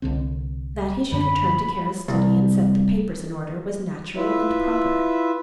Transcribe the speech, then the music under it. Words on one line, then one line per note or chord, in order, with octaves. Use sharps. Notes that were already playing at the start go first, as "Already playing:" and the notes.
That he should return to Kara's study and set the papers in order was natural and proper.
C2 D3 C4
F#2 D3 D4 B5
C2
E4 F4 B4 E5